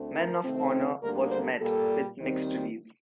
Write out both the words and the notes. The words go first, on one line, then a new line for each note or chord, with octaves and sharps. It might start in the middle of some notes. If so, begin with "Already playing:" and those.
"Men of Honor" was met with mixed reviews.
Already playing: D2 D3 A3 C4
A#4
C3 D#3 A3 C4
D2 D3 G3 A#3 A#4
C5
A#2 G3 A#3 A4
D#2 D#3 G3 C4